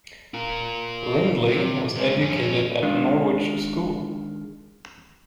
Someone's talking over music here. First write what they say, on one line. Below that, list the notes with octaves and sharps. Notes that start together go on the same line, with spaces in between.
Lindley was educated at Norwich School.
F4 A#4
C3
C3 G#3
F2 C#4
D#3 G#3 D4 F4